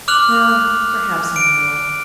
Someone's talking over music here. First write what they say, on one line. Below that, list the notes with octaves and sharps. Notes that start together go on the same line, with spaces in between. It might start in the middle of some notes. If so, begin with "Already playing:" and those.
Well, perhaps I know.
D6 F6 F#6 F7 F#7
D7